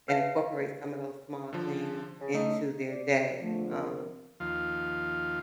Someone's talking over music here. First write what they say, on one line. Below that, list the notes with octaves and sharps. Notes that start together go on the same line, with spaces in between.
and incorporate some of those small things into their day, um,
B4 C#5 E5 F5 A5
D3 F3
C#3
A3 D#4
D5
E2 D3 F3 A3
A#4
D#2 F3 F4